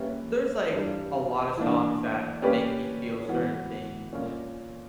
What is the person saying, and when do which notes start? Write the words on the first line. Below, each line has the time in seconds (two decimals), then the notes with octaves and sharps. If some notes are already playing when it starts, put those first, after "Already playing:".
W There's, like, a lot of songs that make me feel certain things, and
Already playing: A#3 C#4 G4 B4 E5
0.72 G2 E3 G3
1.58 E3 A#3 D4
2.42 A#3 C#4 G4 B4 D5
3.28 E3 B3 F#4
4.13 A#2 A#3 C#4